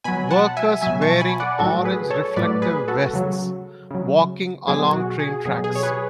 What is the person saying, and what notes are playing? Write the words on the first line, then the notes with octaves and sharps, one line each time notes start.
Workers wearing orange reflective vests walking along train tracks.
B2 F#3 G#5 B5
F#5 A5
E5 G#5
B2 F#3 E5 G#5
A5 C#6
G#5 B5
D5 F#5
A2 F#3 F#4 A4
G#4 B4
A4 C#5
A2 F#3 B4 D5
G#4 B4
F#4 A4
C#3 F#3
C#3 F#3
B2 F#3 G#4
F#4
G#4
B2 F#3 G#4
G#4
C#5
G#4 B4